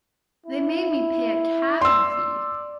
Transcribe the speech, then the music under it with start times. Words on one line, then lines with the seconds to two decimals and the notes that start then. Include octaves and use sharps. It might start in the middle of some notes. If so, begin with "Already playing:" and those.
They made me pay a cabin fee!
0.46 E4
1.81 D5 C6 E6